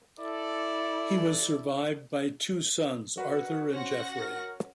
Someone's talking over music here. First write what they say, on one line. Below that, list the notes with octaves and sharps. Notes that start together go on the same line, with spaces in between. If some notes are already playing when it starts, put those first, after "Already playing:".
He was survived by two sons, Arthur and Jeffrey.
E4 A4 D5
F#4 A#4 B4 F#5
C#4 F#4 C5 F#5 A#6
A#4